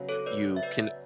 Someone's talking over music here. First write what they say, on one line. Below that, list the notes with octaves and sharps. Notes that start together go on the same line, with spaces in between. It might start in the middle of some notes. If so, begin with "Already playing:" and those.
you can
Already playing: C#3 F#3 B3
A4 C#5
B4 D5
E5
B4 D5